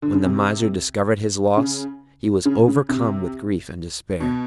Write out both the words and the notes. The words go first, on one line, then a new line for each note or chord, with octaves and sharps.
When the Miser discovered his loss, he was overcome with grief and despair.
D3
C#3
C3
C#3
C#3
C#3
C3
B2